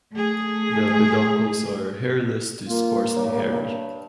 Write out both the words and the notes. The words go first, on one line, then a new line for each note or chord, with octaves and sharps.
The peduncles are hairless to sparsely hairy.
A3 G#4
A#3 F4
G2 C#5